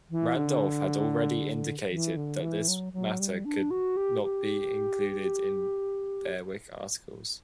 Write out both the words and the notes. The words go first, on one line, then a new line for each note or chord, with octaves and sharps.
Randolph had already indicated that this matter could not be included in Berwick articles.
E3
D3
E3
D3
E3
F#3
F#3
G3
D4
F#4
G4
G4